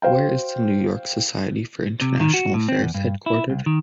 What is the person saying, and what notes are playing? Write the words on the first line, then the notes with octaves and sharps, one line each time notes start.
Where is the New York Society for International Affairs headquartered?
F#4 C5 F5 G5
C3
D#3
F#4
A2
C4
E2
G2
E4
C2
D#3